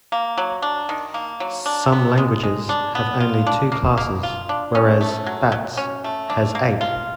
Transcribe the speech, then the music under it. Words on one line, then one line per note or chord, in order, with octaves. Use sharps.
Some languages have only two classes, whereas Bats has eight.
A#3
F#3
D4
D#3
A#3
F#3
D4
B3
G#3
G#3
D4
B3
F4
D4
A#3
A#3
F4
D4
C#4
A3
F#3
F#3
C#4
A3
D4
A#3
F4